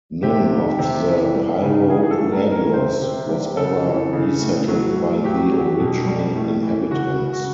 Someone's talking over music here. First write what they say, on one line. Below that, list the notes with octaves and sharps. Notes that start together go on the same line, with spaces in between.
None of the Piro pueblos was ever resettled by the original inhabitants.
C3 G4
D#3
C3
E3
G3
C#3
E3 G#4
G#4
A4
A2
A#4
A2
A#4
C3 C5
C3
G3
C#3 A4
E3
C#3
A2
F#3
A2
F#3 G4
F#3
B2
G3
A2
E3
C#3 F#4
C#3
F#4